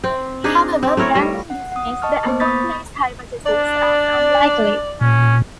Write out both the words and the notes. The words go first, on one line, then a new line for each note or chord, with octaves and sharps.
However, Brandon dismissed the accomplice hypothesis as unlikely.
C4
D4 D#4 G#4
C4
A3 E4 A#4 C#5
G3
F#5
F#5 D#6
D#5 A5 C#6 F6
A#3 B3 C5 D6
B5 C#6 D#6 G6 A6 B6
D4 D5
A#2 C#4